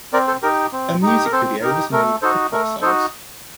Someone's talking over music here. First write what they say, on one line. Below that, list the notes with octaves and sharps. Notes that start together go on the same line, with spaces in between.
A music video was made for "Pop Songs".
C4 A#4 D5
A4 C5
D#4 G4 A#4
C4
D#4 G4
A#4
C4 A4 C5
D#4 G4 A#4
A3 A#4
D#4 F#4 A4 C5
A3 A#4
D#4 F#4 A4 C5